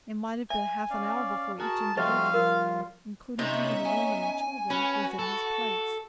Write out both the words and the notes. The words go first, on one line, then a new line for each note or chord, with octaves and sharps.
It might have been half an hour before each individual, including even the women and children, was in his place.
E5 G#5
C#4 D5 F5
F#4 G#4 A#4 A5
F3 G3 A3 C4 F#4 C5 D#5 F5
F4 A#4
C3 B3 C#4 D#4 E5
G#5
C#4 F#4 B4
A4